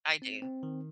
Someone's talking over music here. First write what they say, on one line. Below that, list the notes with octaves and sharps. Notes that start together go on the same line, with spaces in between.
I do.
C4
C4
D#3